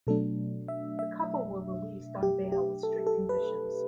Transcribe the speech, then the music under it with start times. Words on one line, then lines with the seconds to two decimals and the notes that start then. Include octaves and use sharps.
The couple were released on bail with strict conditions.
0.07 B2 F#3 A3 D4 A4
0.68 E5
0.99 E5
2.23 G4
2.52 G4
2.83 A4
3.07 A4
3.29 B4